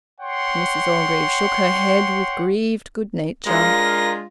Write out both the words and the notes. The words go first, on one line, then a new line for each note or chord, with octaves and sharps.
Mrs Orgreave shook her head, with grieved good-nature.
C#5 F#5 G5 C6
G#3 D4 F4 A#4 A#6